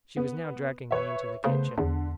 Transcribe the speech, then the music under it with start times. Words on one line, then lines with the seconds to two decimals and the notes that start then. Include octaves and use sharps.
She was now dragging me into the kitchen.
0.17 B3
0.91 B4 C#5 E5
1.44 C#3 A3 B3 C5
1.78 E2 D3